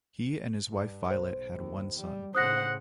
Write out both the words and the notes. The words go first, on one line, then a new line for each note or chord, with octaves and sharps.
He and his wife Violet had one son.
G2
B1 C5
D#2
G3
A2 C#3 C5 F#5 D#6 F#6 A#6